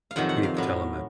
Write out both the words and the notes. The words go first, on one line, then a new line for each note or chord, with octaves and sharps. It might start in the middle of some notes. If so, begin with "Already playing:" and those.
You need to tell him that
F5
F2 C3 D#3 F#3 F#5
F#5
F5
A2 F#3